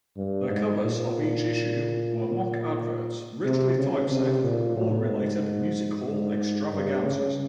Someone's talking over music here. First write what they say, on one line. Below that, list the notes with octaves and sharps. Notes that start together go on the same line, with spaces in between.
The covers of each issue were mock adverts, richly typeset, for war-related music-hall extravaganzas.
G2
G#2
A#2
C3
C#3
C3
A#2
A2
G#2
G#2
G2
C#3